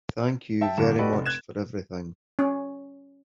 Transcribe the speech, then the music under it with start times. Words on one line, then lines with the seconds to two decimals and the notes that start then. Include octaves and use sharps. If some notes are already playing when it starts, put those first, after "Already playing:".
Thank you very much for everything.
0.61 E5 G5 A5
0.77 G1 G2 G3 A#3 F#4 E7
0.99 F#4 G4 A4 B4 D5 D#5
1.13 F1
1.26 F#6 G#6 E7
2.39 C#4